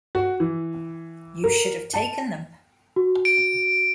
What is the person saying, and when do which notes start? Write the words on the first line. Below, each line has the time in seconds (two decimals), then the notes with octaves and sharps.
You should have taken them.
0.15 F#4
0.40 E3
1.44 A#4
1.94 A5
2.96 F#4
3.25 D7